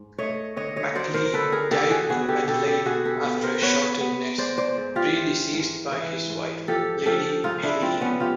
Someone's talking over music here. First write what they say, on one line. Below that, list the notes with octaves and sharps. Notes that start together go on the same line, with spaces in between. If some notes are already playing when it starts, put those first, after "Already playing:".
McLeay died in Adelaide after a short illness, predeceased by his wife, Lady Eileen.
Already playing: G#2
A3 C#5 D#5
D3 C#5 D#5
C#5 D#5
F#3 C5 D5
A#4 C5
D3 A4 B4
G#4 A#4
D3 G4 A4
F#4 G#4
B3 F#4 G#4
G4 A4
B2 G4 A4
G4 A4
B2 F#4 G#4
G4 A4
B3
A#4 C5
B3 B4 C#5
B3
G#3 C5 D5
C5 D5
G#2
F4 G4
E3
G#2
E3
G#2
F3 G4 A4
F3 G4 A4
G#2 D#4 F4
D4 E4
F3 C4
B3 C#4
F3 F4 G4